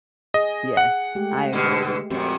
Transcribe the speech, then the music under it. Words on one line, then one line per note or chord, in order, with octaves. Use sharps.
Yes, I agree.
G#4 D#5
F#5
G#3 A3 G4
G2 B2 D3
F2 A#2 C4 F#4 G4